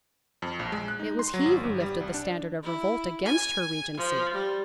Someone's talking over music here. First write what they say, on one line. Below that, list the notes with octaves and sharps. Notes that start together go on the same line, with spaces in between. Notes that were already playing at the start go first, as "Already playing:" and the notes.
It was he who lifted the standard of revolt against her regency.
F2
A#1
G#3
F#6
D#4
C6
F#3
G#1
G1
G3
C2
D4
E4
G#5
F3
G3